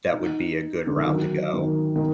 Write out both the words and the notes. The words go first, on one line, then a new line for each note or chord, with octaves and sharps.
that would be a good route to go.
D#4
D3
D#3
F#3
D#3
D#3